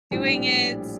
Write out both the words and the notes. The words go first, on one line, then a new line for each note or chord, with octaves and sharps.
"doing it?"
A#1 A2 G3 D4 G4